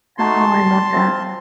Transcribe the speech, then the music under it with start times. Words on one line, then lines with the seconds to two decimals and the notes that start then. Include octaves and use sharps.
Oh, I love that.
0.18 A3 D#4 F#4 A5 C6
0.93 C4 F4